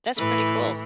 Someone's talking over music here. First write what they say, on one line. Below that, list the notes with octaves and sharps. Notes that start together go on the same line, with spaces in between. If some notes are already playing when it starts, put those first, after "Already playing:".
That's pretty cool.
A2 E3 B4